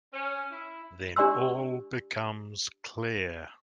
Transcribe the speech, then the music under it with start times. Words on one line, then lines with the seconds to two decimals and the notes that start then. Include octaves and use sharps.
Then all becomes clear.
0.12 C#4
0.51 E4
1.16 D4 G4 D5 G#5 C6 E6